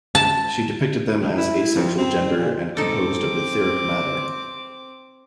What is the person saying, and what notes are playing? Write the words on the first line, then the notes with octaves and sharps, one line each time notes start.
She depicted them as asexual gender, and composed of "etheric" matter.
A5
G2
E4
F2
C4
A#2
C4 D#4 A4 D6